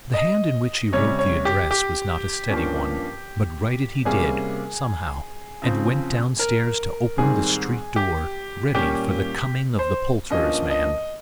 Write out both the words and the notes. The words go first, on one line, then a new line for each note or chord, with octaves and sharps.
The hand in which he wrote the address was not a steady one, but write it he did, somehow, and went down-stairs to open the street door, ready for the coming of the poulterer's man.
D#5
C3 G3 C#4 C#5
C#5
G4
G4
G2 F3 A#3 C#4
C3 G3 A#3 C#4 G#4
C#3 F3 C4
A#4
G#2 D#3 G3 C4 G#4
G4
A#2 G3 A#3 C#4 G4
C5
G2 F3 A#3 C#4 D#5
D#5